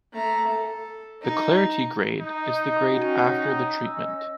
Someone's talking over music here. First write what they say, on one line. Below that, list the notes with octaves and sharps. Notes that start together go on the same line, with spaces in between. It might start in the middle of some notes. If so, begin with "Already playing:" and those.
The clarity grade is the grade after the treatment.
A3 A#5
A4
D#4
D#4
C#4 F#4 G5
C#4 D#5 E6